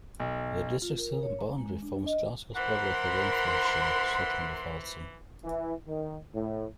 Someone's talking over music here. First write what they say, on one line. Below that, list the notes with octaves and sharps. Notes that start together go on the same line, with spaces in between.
The district's southern boundary forms Glasgow's border with the Renfrewshire settlement of Ralston.
B1
F4
A#4
C#5
A#5
G#3
D4
D#5
E3 A#4 C5 F#5 B5 C6
E3
D#3
A2